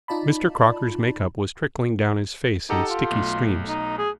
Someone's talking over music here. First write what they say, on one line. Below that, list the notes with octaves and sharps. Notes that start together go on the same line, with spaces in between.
Mr. Crocker's make-up was trickling down his face in sticky streams.
D#4 F4 D5 A5 B5
D#4 G4 A4 F#5
F4
B1 A3
D#4
G#4